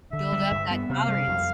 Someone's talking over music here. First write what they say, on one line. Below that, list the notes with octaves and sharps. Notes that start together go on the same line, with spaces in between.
Build up that tolerance.
D3 E5
G3
G2
B3
C3 F5
G3
F2